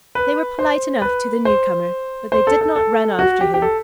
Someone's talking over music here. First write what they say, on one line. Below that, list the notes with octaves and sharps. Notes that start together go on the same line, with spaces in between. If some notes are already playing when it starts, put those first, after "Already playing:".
They were polite enough to the newcomer, but they did not run after him.
B4
C5
B4
C5
C5
A4
A4
A4
F#4
G4
G4
A4